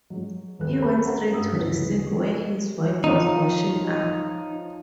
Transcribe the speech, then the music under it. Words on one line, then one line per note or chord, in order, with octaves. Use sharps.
He went straight to the sink where his wife was washing up.
F#3 G#3
D#2 G3 A4 B4 F#6
G4 G#4 B5
C#4 A#4 C5 F#5 A#5
G2 D#6 E6
D2 C#3 E3 F#3 B4 B6
F3 D#4 F4 C#5